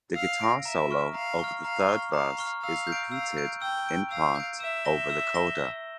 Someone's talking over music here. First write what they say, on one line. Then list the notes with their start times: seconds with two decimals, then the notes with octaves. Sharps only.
The guitar solo over the third verse is repeated in part over the coda.
0.15 F5 E6
0.41 A#6 D7
0.65 E5 A#5
0.91 C#6 F6
1.14 F5 A#5
1.39 C#6
1.44 F6
1.64 F5 A#5
1.89 C#6 F6
2.13 F5 A#5
2.38 C#6 F6
2.62 F5 E6
2.87 G6
2.92 D7
3.12 F5 E6
3.37 G6 D7
3.61 G5 E6
3.86 G6 D7
4.10 F5 E6
4.35 G6 D7
4.60 E5 E6
4.85 A#6 E7 G7
5.10 E6
5.34 A#6 E7 G7
5.58 E6